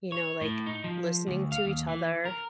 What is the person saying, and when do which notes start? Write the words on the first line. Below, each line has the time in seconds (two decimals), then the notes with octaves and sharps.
You know, like listening to each other
0.12 C#5
0.41 A2
0.66 D#4
0.84 F3
1.28 D2
1.52 F5
1.65 D#2
1.89 E3
2.25 A#4